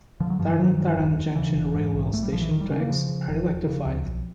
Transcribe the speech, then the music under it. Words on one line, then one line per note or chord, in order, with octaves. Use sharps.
Tarn Taran Junction railway station tracks are electrified.
D3 F3
F#3
G2 F3
E3
G2 D#3
G2
E1
D#2
C#3 E3
E1
G#2
A#1
A#1 A3
G3
A#1 F3
E3
E1 D#3
G3
C#3 C#4
A#3
C#3 F3
C#3
E1
E1
C#3
D2
B1